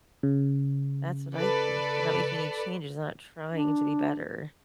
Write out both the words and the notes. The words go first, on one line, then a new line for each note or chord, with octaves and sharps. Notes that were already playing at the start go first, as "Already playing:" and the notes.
That's what I think. They're not making any changes, they're not trying to be better.
C#3
A4 B4 D5
D4